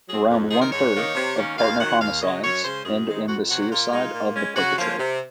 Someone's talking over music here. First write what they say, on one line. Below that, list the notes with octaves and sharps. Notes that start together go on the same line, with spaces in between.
Around one-third of partner homicides end in the suicide of the perpetrator.
F#3 C4 G#4
F2
C3 D#3 G#3 D#4 G#4
A#4
G#2 C#5
D#3 A#3 D#4
C3
D#3 A#3 C#4
D#2 F5
D#3 F#3 F#5
D#2 F5
C#3 F#3 D#5
F#2 C#5
C#3 G#3 C#4 C5
F#2 G#4
D#3 G#3 C4 D#4
F2 F#4
C3 F#3 F#4
F#4
A#2 F4
G#3 D#4
A#2
G#3 C#4
C#3 F#4
F3 A#3 C#4 F4
C3